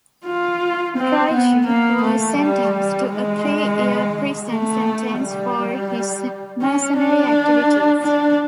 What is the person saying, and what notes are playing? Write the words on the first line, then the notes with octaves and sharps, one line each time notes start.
Droege was sentenced to a three-year prison sentence for his mercenary activities.
F4
C4
B3
A#3
A3
G3
G#3
A3
G3
C#4
D4
D4